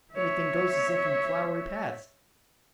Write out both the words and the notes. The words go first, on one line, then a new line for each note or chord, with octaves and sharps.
"Everything goes as if in flowery paths."
C#5 E5